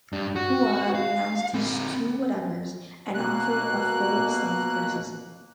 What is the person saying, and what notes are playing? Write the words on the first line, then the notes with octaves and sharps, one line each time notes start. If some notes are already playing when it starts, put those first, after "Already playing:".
Hua renounced his "Two Whatevers" and offered a full self-criticism.
G2 D4
F#4
F5
C4 A#4
B2 A#3 F#6